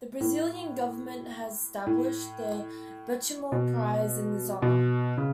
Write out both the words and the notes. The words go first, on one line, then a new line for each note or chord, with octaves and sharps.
The Brazilian government has established the Benchimol prize in his honor.
A2
A2
B2
B2
C#3